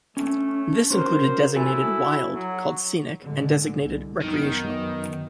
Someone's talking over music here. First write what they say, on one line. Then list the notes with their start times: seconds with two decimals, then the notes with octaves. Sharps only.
This included designated "wild", called "scenic", and designated "recreational".
0.17 A3 C#4
0.91 C#4 F#4 A#4 C5
1.56 E4 F#4 A4 G#5
2.35 F#3
3.22 A2 D3 G#3
3.79 C2
4.21 F#2 D#3 B3